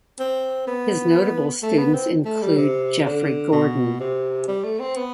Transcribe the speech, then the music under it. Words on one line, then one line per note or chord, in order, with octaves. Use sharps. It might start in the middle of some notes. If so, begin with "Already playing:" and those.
His notable students include Geoffrey Gordon.
C4
B3
A3
B3
C4
A3
G3
C3
D3
B2
C3
G3
A3
C4
B3